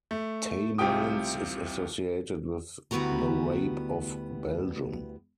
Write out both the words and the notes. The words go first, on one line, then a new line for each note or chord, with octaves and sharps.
Tamines is associated with the Rape of Belgium.
A3
C2 C3 F4 G4 G5 D#6
D2 G3 B3 E4 F#4 A#5